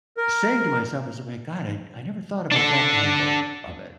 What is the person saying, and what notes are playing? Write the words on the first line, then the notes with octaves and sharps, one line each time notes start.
saying to myself as if, "My God, I I never thought about that angle of it,
A#4
D4 A4